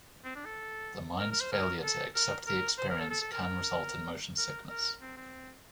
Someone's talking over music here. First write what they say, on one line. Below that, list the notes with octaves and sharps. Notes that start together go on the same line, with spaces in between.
The mind's failure to accept the experience can result in motion sickness.
C4
D4
A4
A#4
A#4
C5
A#4
A4
A#4
A#4
C5
A#4
A4
A4
A4
A#4
A#4
A#4
A#4
C4
C4